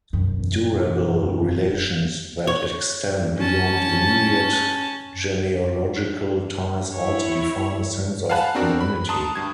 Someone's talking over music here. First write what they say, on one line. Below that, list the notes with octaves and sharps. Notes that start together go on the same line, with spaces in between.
Durable relations that extend beyond immediate genealogical ties also define a sense of community.
E1 F#2
C#5
C#4 A5
E4 C#5
F5 F#5 G#5 A5 B5 F#6
B3 C4 D4 F#4 A#4
B5
A5 A#5 C6 D#6
G2 G#6